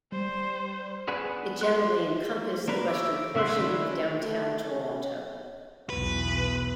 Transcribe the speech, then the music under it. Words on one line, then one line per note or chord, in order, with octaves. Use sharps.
It generally encompassed the western portion of Downtown Toronto.
G3 C5
B3 D4 G#4 B4 F#5
G4 C6 F#6
A#3 D4 A#4 B4
C#5 E5 D6
C#3 A#3 E5 F#5 C6
D#3 A3 C#4 D4 E4
A3
C#4
B1 E2 B4